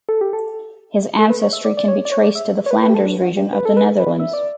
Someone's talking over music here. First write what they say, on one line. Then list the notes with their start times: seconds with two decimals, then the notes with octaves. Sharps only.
His ancestry can be traced to the Flanders region of The Netherlands.
0.09 A4
0.21 G4
0.33 A4
1.19 A4
1.30 B4
1.42 C#5
1.53 E5
1.65 D5
1.77 D5
1.88 C#5
2.05 D5
2.12 C#5
2.24 D5
2.35 E5
2.66 C#5
2.71 B4
2.82 B4
2.90 G4
2.94 A4
3.06 D4
3.22 F#4
3.37 G4
3.53 B4
3.65 A4
3.77 B4
4.00 B4
4.20 E5
4.33 D5